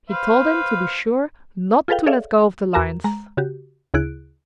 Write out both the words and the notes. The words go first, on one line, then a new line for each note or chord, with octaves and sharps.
He told him to be sure not to let go of the lines.
B4 C5 F5
F4 G#4 A4 B4 F5 G5
G#4 A4 C#5 D5 E5 F5
E2 F#4 A#4 A#5 E7
G#3 A#5
C#3 F#4 G4
D2 C#3 E4 G#4 F#6 D7